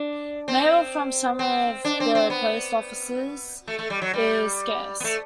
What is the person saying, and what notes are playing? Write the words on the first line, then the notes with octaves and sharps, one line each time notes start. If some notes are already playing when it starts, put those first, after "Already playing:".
Mail from some of the post offices is scarce.
Already playing: D4
C4
C4
D4
C4
C4
B3
A3
A3
G3
F#3
G3
B3
A3